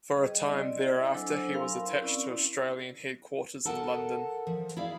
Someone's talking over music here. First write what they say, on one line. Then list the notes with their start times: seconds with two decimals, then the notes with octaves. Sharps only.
For a time thereafter he was attached to Australian Headquarters in London.
0.17 G3 G#4 D#5
0.46 C4 E4 D5 D#5
1.14 F#3 D4 A4 C5 G#5 E6
1.52 E4 A#4 F5 B5 C6
2.02 C4 C#4 E4 D5
3.65 A4 A#4 F#5 A5
4.47 F3
4.77 E4 G#4 D5 F5